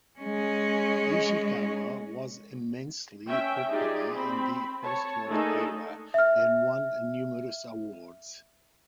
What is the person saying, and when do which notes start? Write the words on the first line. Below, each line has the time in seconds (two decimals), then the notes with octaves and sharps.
Ishikawa was immensely popular in the post-war era, and won numerous awards.
0.19 G#3 C#4
3.28 C#4 E5 G5
3.70 D#4 F4 G4 G#4 D5
4.12 C4 B5
4.83 C#5 A5
5.29 A3 A#3 D4 D#4 G#4 A4
6.14 E5 F6